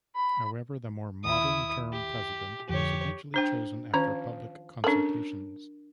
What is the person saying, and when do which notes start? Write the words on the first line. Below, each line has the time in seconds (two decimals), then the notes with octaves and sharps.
However, the more modern term president was eventually chosen after public consultations.
0.16 B5
1.25 D#2 E4 D#6
1.93 G4
2.69 F2 D3 G4 C#5
3.34 D4 C5 G5
3.94 D#3 F3 C#4 A#5
4.84 C#4 D4 A4 A#4